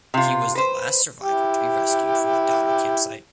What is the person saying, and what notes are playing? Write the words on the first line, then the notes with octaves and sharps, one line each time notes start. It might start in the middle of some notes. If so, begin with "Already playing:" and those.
He was the last survivor to be rescued from the Donner campsite.
C3 F4
B4 C5
E4 G4